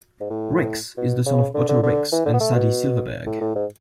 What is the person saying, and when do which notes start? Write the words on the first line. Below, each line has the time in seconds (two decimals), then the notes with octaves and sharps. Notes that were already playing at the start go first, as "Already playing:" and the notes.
Rix is the son of Otto Rix and Sadie Silverberg.
0.21 G#2
0.30 A2
0.97 B2
1.26 C#3
1.54 D3
1.69 D3
1.83 D3
2.12 E3
2.26 D3
2.34 B3
2.40 A3
2.55 B2
3.26 A2
3.41 A2
3.55 G#2